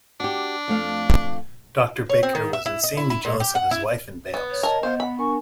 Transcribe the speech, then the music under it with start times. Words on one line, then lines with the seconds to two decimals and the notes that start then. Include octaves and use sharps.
Doctor Baker was insanely jealous of his wife and Bales.
0.20 D4 F#4 G4
0.68 F2 A3 F5
2.09 C#5
2.23 C4
2.35 D#3
2.53 E5
2.66 E4
2.84 D#5
2.97 E4
3.10 E4
3.25 A#2
3.40 G4
3.55 F#5
3.71 E4
4.34 B3
4.51 C#5
4.63 A#4 D#5 A5
4.83 B3 C5 F5
5.00 F#5 B5
5.18 D4 A#4 G#5 C#6